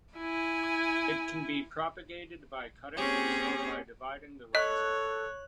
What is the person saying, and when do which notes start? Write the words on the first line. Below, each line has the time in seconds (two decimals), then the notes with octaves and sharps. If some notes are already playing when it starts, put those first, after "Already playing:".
It can be propagated by cuttings or by dividing the rhizome.
0.18 E4 G#5
2.96 A#3 C4 C#4 G4 G#4 C#5
4.55 A4 C#5 D#5 F#6